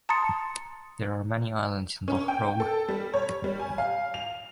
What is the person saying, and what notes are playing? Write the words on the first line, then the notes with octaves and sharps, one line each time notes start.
There are many islands in Loch Roag.
A5 A#5 C6 D#6 A6 C#7
C#4
G5
A4
G3
C#5
G3
G#5
F5
F7